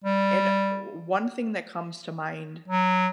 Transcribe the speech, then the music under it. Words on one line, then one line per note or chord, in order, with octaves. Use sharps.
and one thing that comes to mind
G3
F#3